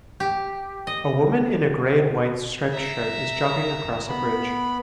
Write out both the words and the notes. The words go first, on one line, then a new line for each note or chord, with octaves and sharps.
A woman in a gray and white striped shirt is jogging across a bridge.
G4
D#5
E5 A#5
B3 B5